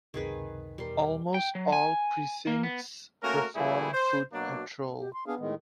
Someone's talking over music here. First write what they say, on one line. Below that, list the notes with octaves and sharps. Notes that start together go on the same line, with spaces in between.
Almost all precincts perform foot patrol.
C#2 F#2 C3 D#3 G#4 B4
E2 B2 G3 A#4 C6
G5
F#3
G#5
A#3
B3
A3 A#3 C#4 F#4 A#4
A#2 E3 G3 A3 E4 G#4
C5
B2 F#3 A#3 D4
G4
C6
B3 D4 G#4 F5
A2 D#3 G#3